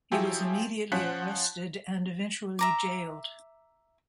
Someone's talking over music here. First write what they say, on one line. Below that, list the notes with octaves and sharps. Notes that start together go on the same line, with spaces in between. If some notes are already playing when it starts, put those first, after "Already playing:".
He was immediately arrested and eventually jailed.
F3 F#3 E4 G4 G#4
F3 C#4 F#5 F#6 B6
E5 A#5 D6